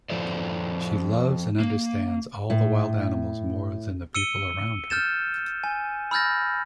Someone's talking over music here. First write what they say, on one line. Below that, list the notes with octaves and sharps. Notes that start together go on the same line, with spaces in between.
She loves and understands all the wild animals more than the people around her.
F3 A4 C5 D5
A#3
A2
E6 C#7 D#7 G7
F6 G6 A6 E7
G#5
B5 E6 F6 G6 A6 A#6